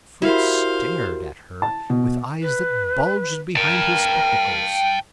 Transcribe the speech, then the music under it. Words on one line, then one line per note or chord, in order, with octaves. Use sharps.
Fritz stared at her with eyes that bulged behind his spectacles.
E4 F#4 G4 A#4 C5 F5
A5
B2
B4
A#4 G5 A5